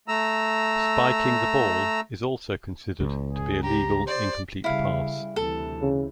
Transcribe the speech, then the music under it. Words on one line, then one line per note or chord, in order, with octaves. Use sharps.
Spiking the ball is also considered to be a legal incomplete pass.
A3 A#5 E6
C#2
G#4
G4 A#5
C5 D5
C#3 G3 E4 F5
D2 C3 E3 A4
C#3